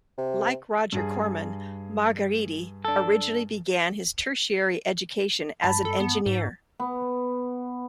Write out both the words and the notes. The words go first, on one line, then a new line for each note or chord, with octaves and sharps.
Like Roger Corman, Margheriti originally began his tertiary education as an engineer.
C3
G2 G#4
D4 A4
G2 A5 B5
A4
B3
G#2
B3